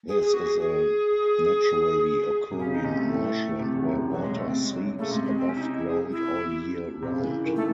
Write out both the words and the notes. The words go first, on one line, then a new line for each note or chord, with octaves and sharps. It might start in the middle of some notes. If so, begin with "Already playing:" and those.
This is a naturally-occurring marshland where water seeps above-ground all year round.
G#4
G#4
F#4
G#4
G#4
C3
C#3 C#4
D#4
C3 C#4
A3
A2
C3
E2
F#2
C3 F#3
C#3 G#3
C3 A3
C4
G#3
F#3
C#3 A3
C3 G#3
G#3
C4
C#4
E4
D#4
E4
G#4
E4
C3
C#3
E3
D#3
E3
A3